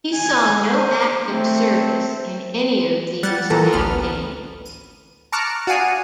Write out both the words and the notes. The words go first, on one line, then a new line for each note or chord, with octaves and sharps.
He saw no active service in any of these campaigns.
G#5
C5
A3 C4
G3 F#5 A6
A#2 E3 A4 A#5
A1 D2 B3 F6
D#7
A5 A#5 C#6 D6 F6 F#6
F#4 D5 F5 F#5 G#5 D#6